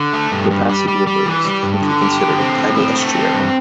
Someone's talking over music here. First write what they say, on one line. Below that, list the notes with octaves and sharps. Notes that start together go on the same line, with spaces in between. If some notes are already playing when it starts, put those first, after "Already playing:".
The Pasig River is technically considered a tidal estuary.
Already playing: D3
A3
G2
G2
G3
G3
G3
E3
G3
G2
D3
G4
D3
C4
A2
C4
A3
C4
G2